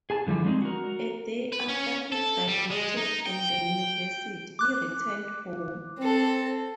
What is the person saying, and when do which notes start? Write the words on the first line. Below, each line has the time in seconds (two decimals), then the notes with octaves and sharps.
A day after he graduated from the university, he returned home.
0.10 G#4 G#5 A5
0.27 D3 E3 F3 G3 A3
0.44 G#3 C4 D4 D#4
0.62 F#4 A#4
1.52 B4
1.68 C#4
2.12 A4
2.48 G3
2.70 G#3
2.97 D#4
3.26 G5
4.59 D6 F#6
5.98 C4 A4